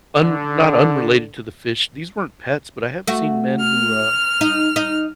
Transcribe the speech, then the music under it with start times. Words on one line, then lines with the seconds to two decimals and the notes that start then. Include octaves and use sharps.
un not unrelated to the fish, these weren't pets, but I have seen men who, uh,
0.20 D3
3.07 A3 F#4
3.59 F6
4.41 D#4
4.76 D#4